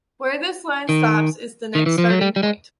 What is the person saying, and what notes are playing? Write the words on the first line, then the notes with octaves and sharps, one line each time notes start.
Where this line stops is the next starting point.
D#3
D#3
E3
F3
F#3
G3
G3
G#3